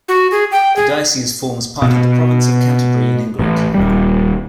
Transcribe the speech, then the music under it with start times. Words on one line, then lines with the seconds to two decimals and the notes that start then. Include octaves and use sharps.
The diocese forms part of the Province of Canterbury in England.
0.08 F#4
0.32 G#4
0.52 G5
0.76 G#4
1.82 B2
3.39 A1
3.75 D#1 G3